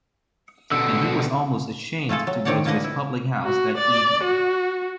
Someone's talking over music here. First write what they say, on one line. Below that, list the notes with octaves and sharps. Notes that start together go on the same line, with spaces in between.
And he was almost ashamed to go to his public-house that evening.
B2 D3 E6
A3 F4 G#4 A4
F#3
D#3 C4 D4 C#5 D5 F#5
A#2 D3 A#3 B4 D#5 F#5
E4
F#4
D5
F#4